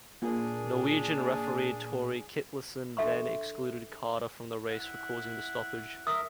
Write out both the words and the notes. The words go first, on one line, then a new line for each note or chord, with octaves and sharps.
Norwegian referee Torrie Kittlesen then excluded Carter from the race for causing the stoppage.
A#2 A#3 D4 G#4
D4 A4 E5 C6 C#6
E4 F#5
A#4 E5 D#6